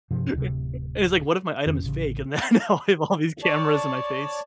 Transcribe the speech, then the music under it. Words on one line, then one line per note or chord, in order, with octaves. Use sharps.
I i it's like, what if my item is fake and then I have all these cameras in my face.
G2 C3 F3
D1 C3
F2 D#3 C#4
A1 C#3
C#5 D5 A5